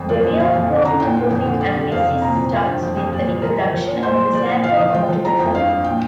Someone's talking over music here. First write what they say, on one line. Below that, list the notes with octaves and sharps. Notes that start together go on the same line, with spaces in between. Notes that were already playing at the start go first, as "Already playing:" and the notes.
The real chromatographic analysis starts with the introduction of the sample onto the column.
Already playing: F2
F3 D5
A#2
F3 F5
F2
D3
D3 A#5
A#2 G5
A#2
F2 G5
D3
G2 D5
D3
F2 F5
C3
A#2 A#5
F3
F3 G5
G2
F2 G5
F2
A#2 D5
F3
F3 A#4
F3
F3
A#2
A#2 C5
A#2
F3 D5
A#2
F3 F5
F3
F3 G5
F3
F3 A#5
F2 G5
G2 F5
G2
A#2 G5